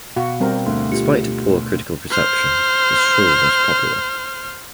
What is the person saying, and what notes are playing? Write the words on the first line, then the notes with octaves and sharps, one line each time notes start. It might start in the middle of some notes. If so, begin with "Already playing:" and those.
Despite a poor critical reception, the show was popular.
B2 F#4 F5
G3 C4 A#4
D2
F4 G4 C#7
C5 F6